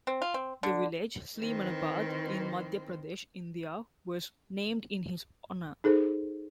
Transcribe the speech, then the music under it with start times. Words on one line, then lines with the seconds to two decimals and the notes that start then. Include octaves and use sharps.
The village Sleemanabad in Madhya Pradesh, India was named in his honour.
0.07 C4
0.22 F4
0.34 C4
0.63 D3
1.38 D#3 E3 C4
5.84 D#4 G#4 A4 C5